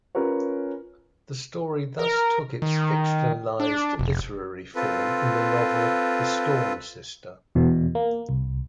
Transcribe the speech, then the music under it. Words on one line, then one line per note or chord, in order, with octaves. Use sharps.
The story thus took its fictionalized literary form in the novel "The Storm Sister".
C#4 F4 A#4 B4 C#5
A#4
D#3
D4
F1
C4 F4 A4 B4
E2 B2
A#3
C2